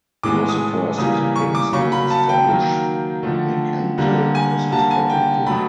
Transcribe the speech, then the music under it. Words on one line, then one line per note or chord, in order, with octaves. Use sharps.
He was the first of the kings to establish Nekemte as his capital.
A2 E3 G#3 B3 D6
D#6
C#3 E3 G3 A#3 D#6
C#6
D6
C#3 F#3 A#3 C#6
B5
A5
G5
D#3 F#3 A#3
D3 F3 A3
D3 G3 A#3
G#5
D3 G3 A#3 A5
G#5
G5
B2 F#3 A3 B5